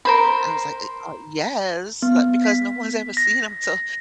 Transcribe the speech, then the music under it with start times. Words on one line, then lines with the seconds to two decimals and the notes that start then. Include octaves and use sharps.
And I was like, "Uh, ah, yes." Like, because no one's ever seen 'em, to
0.05 A#4 C5 B5
2.02 B3
2.44 B6
3.17 A#6